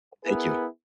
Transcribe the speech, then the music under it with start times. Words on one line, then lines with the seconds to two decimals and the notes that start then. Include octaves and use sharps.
Thank you.
0.25 B3 E4 G#4 A#4 B4